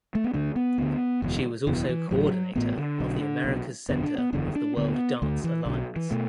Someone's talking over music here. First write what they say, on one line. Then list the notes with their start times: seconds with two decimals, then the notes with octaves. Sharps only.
She was also coordinator of the Americas Center of the World Dance Alliance.
0.15 A3
0.24 B3
0.34 D2 D3 D4
0.56 B3
0.78 D2 D3
1.22 F#1 E2 B2
1.67 F#1 E2 B2 E3
1.89 E3
2.11 A1 A2 F#3
2.56 A1 A2 B3
2.78 D3
3.00 B1 B2
3.44 B1 B2
3.89 F#1 E2 D3 B3
4.04 D4
4.18 B3
4.33 F#1 E2 D3 D4
4.56 D4
4.77 D2 D3 B3
5.22 D2 D3 A3
5.44 E3
5.66 B1 B2 D3
5.96 E3
6.11 B2 A3